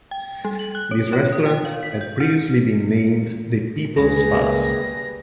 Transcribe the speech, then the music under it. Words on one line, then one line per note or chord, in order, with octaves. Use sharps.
This restaurant had previously been named The Peoples Palace.
G5
G3
F#7
F#6
C#5
F4
D#6
G5
F5
B6
G6
E4
C#2 D#3 G3 A#3 G#4 B4 A#6